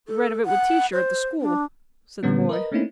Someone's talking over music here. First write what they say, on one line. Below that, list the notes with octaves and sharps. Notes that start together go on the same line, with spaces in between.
'Read of it with teacher at the school,' said the boy.
A4
F#5
C5
D4
A#2 D3 G3 B3 C#4
A#4 B4 D#5
A3 A#3 C4 C#4 D#4 E4